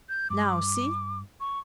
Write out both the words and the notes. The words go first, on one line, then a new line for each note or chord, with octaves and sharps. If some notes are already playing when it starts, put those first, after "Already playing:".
Now, see!
G6
G2 D6
C#6